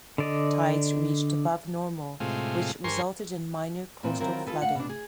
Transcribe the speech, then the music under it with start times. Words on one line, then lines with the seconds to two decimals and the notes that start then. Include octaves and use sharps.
Tides reached above normal, which resulted in minor coastal flooding.
0.18 D3 D5 D#5
2.20 A2 C3 G#3 F4
2.84 G2 A#4 C5 G#5 C6 C#6
4.03 A#2 E3 C4
4.20 D#3 F#3 C4 E4 F4 A#4
4.47 F4 G#4 A4 B4
4.61 D2 F5 F#5
4.75 B2 D4
4.89 G#4